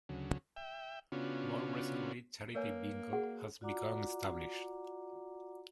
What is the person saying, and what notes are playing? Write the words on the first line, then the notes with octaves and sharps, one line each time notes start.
More recently "charity bingo" has become established.
D2 C#3 F#3
E5 G5
C#3 B3 C#4 D4 F4 F#4
A#3 B4 C#5 G#5
F#4 G#4 F#5
F4 F#4 D5 F#5 A#5 D6